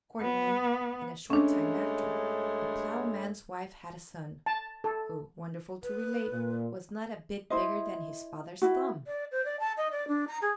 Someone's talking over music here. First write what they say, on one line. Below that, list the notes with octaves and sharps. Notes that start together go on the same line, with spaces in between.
Accordingly, in a short time after, the plowman's wife had a son, who, wonderful to relate, was not a bit bigger than his father's thumb!
B3
G2 G#3 A3 C#4 D4 C#5
A5
A4
B4
A#2
E4 C5 D#5
E4 F#4
D5
C5
D5
A5
D#5
D5
D4
A#5
G#4